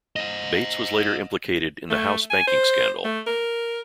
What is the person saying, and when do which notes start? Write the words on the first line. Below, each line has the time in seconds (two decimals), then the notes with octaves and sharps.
Bates was later implicated in the House banking scandal.
0.16 C5 D#5
1.90 A3
2.30 G#5
2.47 C5
3.04 A3
3.26 A#4